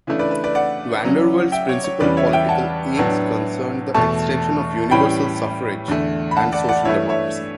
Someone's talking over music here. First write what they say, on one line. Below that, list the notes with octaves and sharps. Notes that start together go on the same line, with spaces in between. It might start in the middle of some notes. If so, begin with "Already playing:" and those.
Vandervelde's principle political aims concerned the extension of universal suffrage and social democracy.
C#3 E3 A3 D4
B4 D5
B4
B4 D5
D5 F#5
C#3 F#3 C#4
E5 G5
C#5
C#5
E2 C#3 E3 G3 C#4 B4 D5
C#5 E5
E5 G5
F#5 A5
A2 F#3 B3 D4
E2 B2 A3 A5 C#6
A2 E3 G3 C#4 G5 B5
E2 D3 A3
B5
F#5 A5
D5 F#5
D5 F#5
G2 E3 A3 C#5 E5
C#5 E5